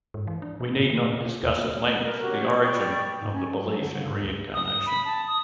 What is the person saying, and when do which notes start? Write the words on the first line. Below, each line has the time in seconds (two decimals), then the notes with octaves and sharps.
We need not discuss at length the origin of the belief in reincarnation.
0.14 G#2
0.27 E3
0.42 D4
0.60 B2
0.76 A2
0.90 D#3
1.01 A#2
1.14 C3
1.26 B2
1.43 D#2
1.59 A#3
2.01 A#4 B4
2.22 C#4 F#4 G4
2.61 D5 G5 B5 C#6
3.22 G#2
3.35 C#4
3.47 C#4
3.66 F#3
3.80 D3
3.95 C#3
4.09 G#2
4.23 D2
4.54 D#6
4.86 B5
5.05 A5
5.27 D#6